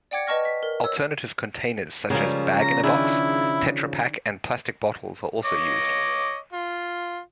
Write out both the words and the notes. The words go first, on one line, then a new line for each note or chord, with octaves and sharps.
Alternative containers such as Bag-in-Box, TetraPak and plastic bottles are also used.
D5 F#5 G5 D6 G#6 C#7
B4 D#5 A5 C#6 F6 A#6
B6
A#4
C#5 E6
C#3 F3 G3 G#3 A#4
A#5
D#3 D4 E4 G#4
C#5 D#5 D6
F4